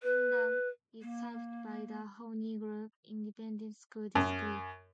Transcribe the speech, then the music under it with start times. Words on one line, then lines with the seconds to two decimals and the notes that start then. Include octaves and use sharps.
Windom is served by the Honey Grove Independent School District.
0.03 B4
1.01 A#3
4.15 F#2